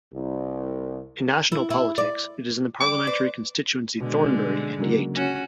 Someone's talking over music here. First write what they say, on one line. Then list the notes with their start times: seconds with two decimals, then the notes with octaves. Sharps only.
In national politics it is in the parliamentary constituency Thornbury and Yate.
0.13 C2
1.52 E4
1.70 E4
1.98 D5
2.81 G3 D6
3.07 B4 C5 D5
4.00 B2 D3 G#3
4.79 C#3 F#3 A#3
5.15 C#4 F#4